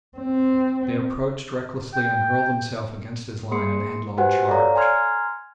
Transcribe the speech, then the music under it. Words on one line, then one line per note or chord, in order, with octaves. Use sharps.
They approached recklessly and hurled themselves against his line in a headlong charge.
C4
G5
A#3 G#4 C6 C#7
F#4 G4 B4 C5 F#5 G#5
A4 C#5 D5 F5 A#5
G#5 A#5 C6 F6 G#6